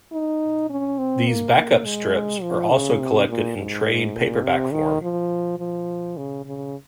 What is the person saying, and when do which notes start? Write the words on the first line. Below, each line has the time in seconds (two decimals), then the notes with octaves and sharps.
These back-up strips are also collected in trade paperback form.
0.12 D#4
0.70 C#4
0.98 C4
1.28 A#3
1.56 A#3
1.85 G#3
2.42 F3
2.71 C#3
3.00 C3
3.29 A#2
3.58 G#2
4.15 A#2
4.44 C3
4.73 D#3
5.02 F3
5.59 F3
6.17 C#3
6.45 C#3